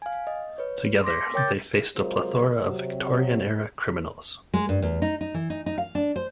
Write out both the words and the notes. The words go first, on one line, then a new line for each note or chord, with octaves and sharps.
Together they faced a plethora of Victorian-era criminals.
F5 G#5
D#5
B4 C#5
C6 D6 A#6 B6
A#4 C#5 G5 D6 G6 A6
C3 F#3 G#3 F4 A#4 C5
C3 F#3
G#3
G2
E2
D#4
D#4
E3
D#4
D#4
F5
D4
C5